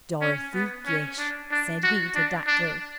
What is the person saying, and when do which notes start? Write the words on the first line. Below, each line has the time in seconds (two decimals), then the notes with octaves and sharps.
DOROTHY GISH, said he to Dactyl.
0.22 C#4
0.54 B3
0.87 C#4
1.19 D4
1.52 D4
1.83 F#4
2.15 D4
2.47 D4